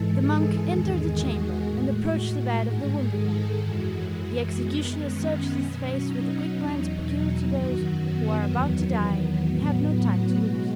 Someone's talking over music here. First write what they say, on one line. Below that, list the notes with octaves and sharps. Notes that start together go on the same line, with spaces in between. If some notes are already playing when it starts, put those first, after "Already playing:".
The monk entered the chamber and approached the bed of the wounded man. The executioner searched his face with the quick glance peculiar to those who are about to die and have no time to lose.
Already playing: G#2 E3 G#3 A4
G#4
E2 D#3 G#3
F#4
A2 G#3
G#2 D#3 G#3 G#4
A4
F#2 E3 G#3 F#4
F#2 D#3 G#3 B3
C#4
B2 F#3
D#4
E2 B2 F#3
F#2 D#3 F#3 F#4
B3
E2 D#3 F#3
A2 F#3 B3
F#4
B2 G#3 F#4